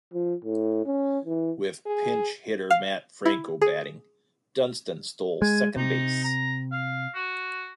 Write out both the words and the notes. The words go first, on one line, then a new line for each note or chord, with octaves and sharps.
With pinch-hitter Matt Franco batting, Dunston stole second base.
F3
A2
C#4
E3
G#4
F5
E4
G#4
G#3 G#5
C3 D#4
A#5
F5
F#4